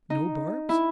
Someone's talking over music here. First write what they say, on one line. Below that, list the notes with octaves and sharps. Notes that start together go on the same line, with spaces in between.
"No barbs?"
D#4
E4